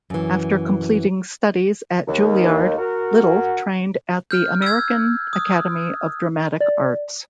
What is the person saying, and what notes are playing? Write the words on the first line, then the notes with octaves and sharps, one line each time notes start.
After completing studies at Juilliard, Little trained at the American Academy of Dramatic Arts.
F#2 E3
D#2
F#4 A#4
F6 G6
E6 G#6
D#6
D5